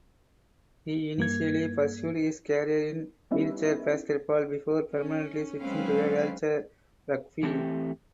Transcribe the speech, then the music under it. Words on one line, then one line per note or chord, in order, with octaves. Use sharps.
He initially pursued his career in wheelchair basketball before permanently switching to wheelchair rugby.
G2 A#3 G#6
G3 B3 C#4 D#4 E4 E5
C#4
F#3 G#3 C4 C#4 B4 F5
E3 A3 C4 G4